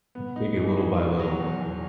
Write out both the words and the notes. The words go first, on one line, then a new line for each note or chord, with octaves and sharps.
M take it little by little.
B3
D#4
E3
G#4
B2
F#3
E2
E2